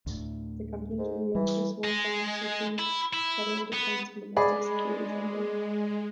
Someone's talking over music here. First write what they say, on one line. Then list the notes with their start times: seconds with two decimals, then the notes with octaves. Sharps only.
The companies are mostly small firms seeking federal defense and domestic security funding.
0.06 D2 A2
0.98 G#2
1.35 E3 G3
1.84 G#3
2.79 E4
3.13 E4
3.74 B3
4.36 G#3 G#4 D5 B5